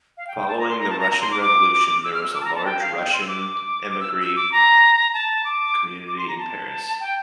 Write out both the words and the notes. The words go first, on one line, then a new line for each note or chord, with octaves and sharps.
Following the Russian Revolution there was a large Russian emigre community in Paris.
F5
G5
G5
A5
A#5
C6
A#5
A5
A#5
A#5
C6
D6
D6
E6
F6
E6
D6
A5
A#5
A5
G5
F5
G5
C6
E6
D6
D6
E6
E6
D6
A#5
A5
D6
D6
C6
A#5
A5
G5